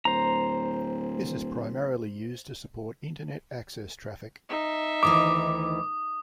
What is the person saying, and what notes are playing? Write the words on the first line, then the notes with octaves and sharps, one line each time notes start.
This is primarily used to support Internet access traffic.
D1 C5 A#5
D#4 E5
D2 D#3 E3 D6 D#6